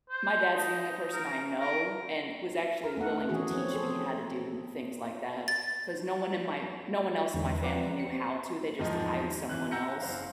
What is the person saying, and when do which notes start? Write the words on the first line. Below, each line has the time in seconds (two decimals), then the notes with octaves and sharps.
my dad's the only person I know and was actually willing to teach me how to do things like that 'cause no one in my no one else in my family knew how to. They just hired someone else.
0.10 C5
0.54 D#4
1.13 A#4
1.60 A#4
2.84 A#4
2.97 A3 B3 A4 F#5
3.29 D#3 E3 B3 C#4 F#4 G#4
3.51 F3 C4 C#5
3.74 G#4 A4 C5
3.90 C4
5.48 A6
7.34 E2 D3 G#3
7.62 F3 B4 D5 F#5 G5 A#5
8.00 C#7
8.13 C4
8.79 E2 G#2 D#3 F3 G#3 D#4
9.49 E3 F#6
9.71 F#5 A#5 E6 G6 A#6 C#7
10.01 F#1 C5 F5